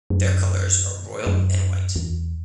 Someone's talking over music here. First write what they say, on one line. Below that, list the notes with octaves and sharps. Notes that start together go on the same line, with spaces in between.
Their colors are royal and white.
F#2
F#2
E2